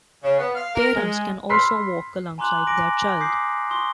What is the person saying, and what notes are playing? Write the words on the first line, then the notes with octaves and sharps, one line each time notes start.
Parents can also walk alongside their child.
C#3
B3
F5
A#4
G#3
B5 C6 E6 F6 B6 C7
G#5 A#5 C6 D6 F#6 F#7
G#5 D6 A#6 D7
D6 D#6 G6 B6 C7
C6 C#6 D#6 G7